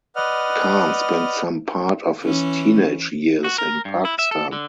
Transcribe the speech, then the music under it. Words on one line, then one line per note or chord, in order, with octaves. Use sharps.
Khan spent some part of his teenage years in Pakistan.
B4 D5 D#5 F#5 F6
E3 C#4
F#4
A#4
G2
E4
E5
A4
D3